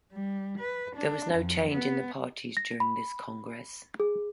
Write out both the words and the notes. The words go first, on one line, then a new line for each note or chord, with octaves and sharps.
There was no change in the parties during this Congress.
G3
B4
D4
F2
B3
A#6
B5
G#4